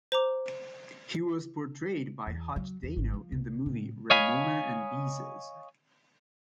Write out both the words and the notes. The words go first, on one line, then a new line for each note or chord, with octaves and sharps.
He was portrayed by Hutch Dano in the movie "Ramona and Beezus".
C5 A#5 D6
E2
F#3
E2
G#1
F3
C2
A2
C#5 D#5 F5 G#5 B5